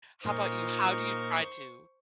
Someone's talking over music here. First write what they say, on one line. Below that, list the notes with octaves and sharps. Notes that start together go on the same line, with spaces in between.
How 'bout you? How do you try to,
A#2 D#4 F4 A#4 C5 C#6